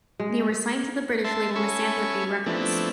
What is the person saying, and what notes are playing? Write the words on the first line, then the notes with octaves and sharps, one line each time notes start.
They were signed to the British label Misanthropy Records.
G#3
E5 A5 C6
C#4 A4 E5 G#5 B5 C#6
F3 A3 B3 C4 D4 E4